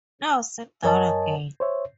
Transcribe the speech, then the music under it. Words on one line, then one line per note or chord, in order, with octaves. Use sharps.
Now sit down again.
F#2 A#4 C#5 D#5 G#5 A5
C5 C#5 E5